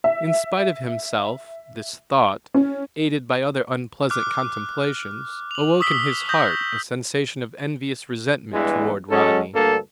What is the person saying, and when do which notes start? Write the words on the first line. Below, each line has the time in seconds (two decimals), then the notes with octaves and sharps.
In spite of himself, this thought, aided by other unpleasant contemplations, awoke in his heart a sensation of envious resentment toward Rodney.
0.04 E5
2.54 C#4
4.10 D6 F6 F#6
5.51 F7 F#7
5.80 C#6 D#6 E6 B6 F#7 G7
6.29 D#6 G6 A#6 F#7
8.54 E2 G2 E3 G#3
9.11 F#3 G#3 C#4 A4
9.54 D2 G2 A#3 A4